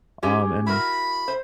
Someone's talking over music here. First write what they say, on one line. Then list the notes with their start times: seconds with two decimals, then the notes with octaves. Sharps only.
um, and
0.23 C#4 G4 G#4
0.67 E4 F#4 A#4 B5
1.28 C5